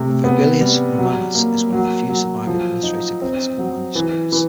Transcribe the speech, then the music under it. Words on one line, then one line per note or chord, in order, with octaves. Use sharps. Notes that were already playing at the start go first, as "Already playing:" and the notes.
The Vergilius Romanus is one of the few surviving illustrated classical manuscripts.
Already playing: C3 A3
B3
G3
F#3
A#3
F#3
F#3
F3
D#4
C4
F#3
E3
E3